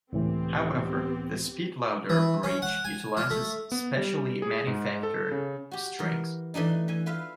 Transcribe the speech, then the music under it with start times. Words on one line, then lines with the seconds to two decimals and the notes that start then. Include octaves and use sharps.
However, the SpeedLoader bridge utilizes specially manufactured strings.
0.13 C#2 A2 E3 B3 C4 G4
2.10 E3
2.43 C#4
2.62 F#5
2.84 G#5
3.17 F4
3.30 A3
3.72 B3
3.97 G3
4.42 G#4
4.67 G#2
5.03 A4
5.31 C#3
5.71 F#4 G4
5.99 E3 A#4
6.54 E3 A3 D4 D#4
6.88 E3 G#5
7.06 F4 B4 E5 F5